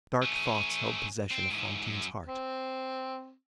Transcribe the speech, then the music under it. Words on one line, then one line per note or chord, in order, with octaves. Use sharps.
Dark thoughts held possession of Fantine's heart.
A3 C#4
C4
G#2 E3
F#2
C4